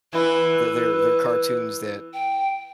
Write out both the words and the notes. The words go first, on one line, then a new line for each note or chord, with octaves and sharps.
They they're they're cartoons that
E3 B3 E4 B4
G5